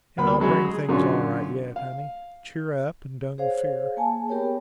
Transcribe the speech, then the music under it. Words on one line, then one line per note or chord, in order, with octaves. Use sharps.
And I'll bring things all right yet, honey--cheer up and don't you fear.
D2 A#3 B3 B5
C#3 F#3 G#3 B5
G#4
F#2 D3 C#4 F4 F#4
F5
G#4 C5 C#5 F5
A#3 G#4 G#5 A5
B3 G4 A#4 C#5 G5